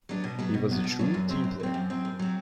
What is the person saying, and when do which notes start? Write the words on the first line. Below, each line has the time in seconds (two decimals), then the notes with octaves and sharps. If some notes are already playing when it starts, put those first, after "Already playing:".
He was a true team player.
0.09 F#3 B3 D4
0.24 B2
0.39 F#3 B3 D4
0.54 B2
0.70 F#3 B3 D4
0.84 B2
0.99 F#3 B3 D4
1.14 F#2
1.29 F#3 C4
1.44 F#2
1.60 F#3 C4
1.74 F#2
1.90 F#3 C4
2.05 F#2
2.19 F#3 C4